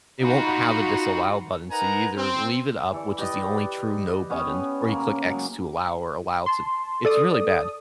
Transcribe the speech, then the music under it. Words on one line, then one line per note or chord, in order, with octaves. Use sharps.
it won't have a disallow button, so you either leave it up, which is the only true "no" button, or you click x to allow or allow to it's really bad.
D#4 F4 F#4 B5
D#4 A#4 B4 F#5 G#5 A#5
C4
E3 A4 D5
G4 B4 D5 D#5
B3 C#4 D#5 G5
C#3 A#3
F#3 G#3
A5 C6
A4 D5 D#6